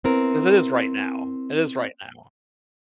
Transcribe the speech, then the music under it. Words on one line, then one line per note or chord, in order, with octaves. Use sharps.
'Cause it is right now. It is right now.
B3 C4 E4 A#4